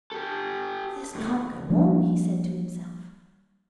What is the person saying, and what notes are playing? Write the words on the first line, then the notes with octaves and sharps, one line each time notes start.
'This can't go on,' he said to himself.
G4 A4
G2 A3
F3 G3 A#3 D4